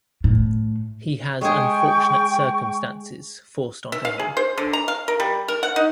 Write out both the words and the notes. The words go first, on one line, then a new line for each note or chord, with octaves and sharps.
He has unfortunate circumstances forced onto him.
A2
G#3 G#4 G5 C#6
E5
F5
G#4
C5
D3
A#5
F5
A#4
G3
A#4
F#5
D#4